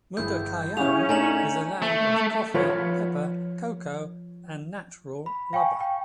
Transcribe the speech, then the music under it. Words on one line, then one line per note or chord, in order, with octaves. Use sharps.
Mundakayam is a land of coffee, pepper, cocoa and natural rubber.
G1 E4 G#4 G6
C#4 E4 G4 G#4 F5 F#5 F7
A3 D4 D#4 G#5 A#5 F#7
A3
F3 F4 B4 C#5 F#5
B5
F5 G5 G#5 C#6
G5